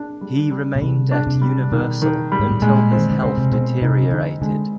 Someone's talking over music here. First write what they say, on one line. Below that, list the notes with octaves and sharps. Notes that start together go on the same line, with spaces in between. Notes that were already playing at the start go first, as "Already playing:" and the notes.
He remained at Universal until his health deteriorated.
Already playing: D4
G3
G3
B2
C3 G3
D4
C3
G3
B2 D#3
D#3
G3
G#2
A2
A#2 G#3
C4
D#3
D3
C#3 C4
C3
B2 C4
C3 D#4
C#3
D3 D#4
D3 G#3